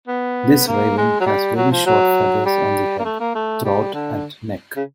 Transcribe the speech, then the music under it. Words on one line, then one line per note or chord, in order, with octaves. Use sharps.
This raven has very short feathers on the head, throat and neck.
B3
A#3
G#3
F#3
G3
F#3
F3
F#3
G3
A#3
A3
A#3
A3
G3
D3
C#3